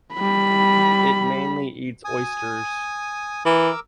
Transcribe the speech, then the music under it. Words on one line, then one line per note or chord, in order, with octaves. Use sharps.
It mainly eats oysters.
G3 B5
G#5 D#6
E3 A#4 D6 E6